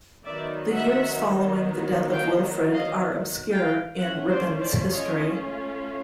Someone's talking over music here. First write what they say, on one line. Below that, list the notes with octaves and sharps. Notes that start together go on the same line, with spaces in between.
The years following the death of Wilfrid are obscure in Ripon's history.
D#3 F#3 B3 D#4 D5 E5
E5 F#5
F5 G5
D#5 F5
F5 G5
A3 C#4 F4 E5 F#5
C5 D5
C5 D5
C#5 D#5